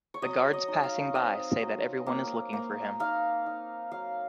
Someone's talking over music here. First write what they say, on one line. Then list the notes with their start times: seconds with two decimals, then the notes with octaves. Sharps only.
The guards passing by say that everyone is looking for him.
0.14 C#5
0.22 F#3 D#5
0.53 D#5
0.68 D#4
0.84 F5
1.15 C4 D#5
1.60 F#3
2.06 A#3
2.53 A#3
3.00 D#4 F5
3.46 D#4
3.91 F#3 F5